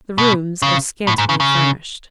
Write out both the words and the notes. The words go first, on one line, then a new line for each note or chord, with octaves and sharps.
The rooms are scantily furnished.
B2
C#3
A2
G#2
C#3
C#3